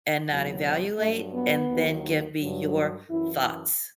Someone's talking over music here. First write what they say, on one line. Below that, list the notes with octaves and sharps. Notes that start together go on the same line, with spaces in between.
and not evaluate, and then give me your thoughts
E2 C3 D#3 F#3
G2 F#3 A3
B3
D#2 D#3 F#3
G2 F#3
F#2 E3 E4